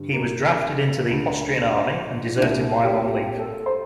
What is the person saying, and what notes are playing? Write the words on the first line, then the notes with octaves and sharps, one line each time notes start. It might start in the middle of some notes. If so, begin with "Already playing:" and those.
He was drafted into the Austrian Army, and deserted while on leave.
Already playing: G2 D3
A#3
D2 D3
D4
D4
C2 A#2 E4
E4
G4
G4
A4
C5